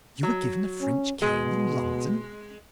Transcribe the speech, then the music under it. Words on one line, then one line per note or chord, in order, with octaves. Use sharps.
"You were given a French cane in London!"
F#3
C#4
B2 G#3